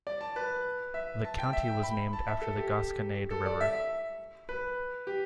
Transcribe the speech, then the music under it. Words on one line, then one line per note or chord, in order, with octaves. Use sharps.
The county was named after the Gasconade River.
D5
A5
B4
E5
A5
G5
E5
G5
B5
A5
E5
A4
G4
A4
D5
E5
E5
B4
G4